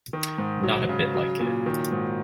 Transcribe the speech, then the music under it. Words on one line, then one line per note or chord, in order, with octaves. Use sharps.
Not a bit like it.
D#3
G#2
F#3
C#3
F#3
A#2
D#3
G#2